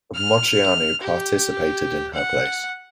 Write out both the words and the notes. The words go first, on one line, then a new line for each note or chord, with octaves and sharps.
Moceanu participated in her place.
F6
G4
F#5